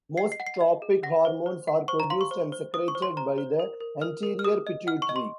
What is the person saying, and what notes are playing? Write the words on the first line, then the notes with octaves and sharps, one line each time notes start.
Most tropic hormones are produced and secreted by the anterior pituitary.
D#5 C7
C7
F#5
C7
D#5
G#4
F#5 A#6
C5
C5
F#5
C5 C#6
A#5
F5 C6
C#6
C5
C5
C5 D#6
C#6
C5
C6
C5 A#5
C5
A#4
A#4
A#4 F6
A#4
F6
G#4 D#6
D#5
F#5 F6
C#6
D#5
C6